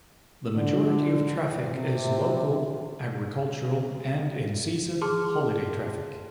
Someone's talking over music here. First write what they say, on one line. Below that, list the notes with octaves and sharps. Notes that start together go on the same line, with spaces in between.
The majority of traffic is local, agricultural and, in season, holiday traffic.
D3
C3
G#4 A5 C6 D6 F6